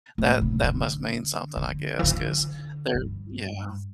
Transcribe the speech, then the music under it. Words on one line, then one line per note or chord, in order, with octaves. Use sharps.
that that must mean something, I guess, 'cause they're Yeah.
A2
C3
D3
D3
E3
D3
G2